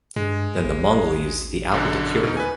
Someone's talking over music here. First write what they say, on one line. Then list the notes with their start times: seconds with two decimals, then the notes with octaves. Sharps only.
Then the Mongol uses the apple to cure her.
0.16 G2 G#3
0.64 A1
1.72 B1 F#2 D3
2.23 B2 D#4
2.37 B4 G#5